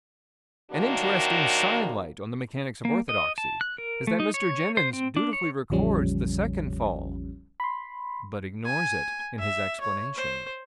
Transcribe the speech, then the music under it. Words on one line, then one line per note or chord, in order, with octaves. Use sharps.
An interesting sidelight on the mechanics of orthodoxy is that Mr. Jenyns dutifully records the second fall, but ignores it in his explanation.
C3 D#3 F#3 A#3 D4 F#4
A#3
D#5
A5
F#6
A#4
A3
D#4
C#5
C5
C4
D4
C#5
A1 E2 C#3 F3 G3 C#4
B5 C6
G#5
E5
C#5
C5